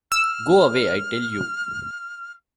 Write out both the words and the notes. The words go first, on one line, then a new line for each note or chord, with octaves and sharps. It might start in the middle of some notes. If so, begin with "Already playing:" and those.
Go away, I tell you.
E6 F6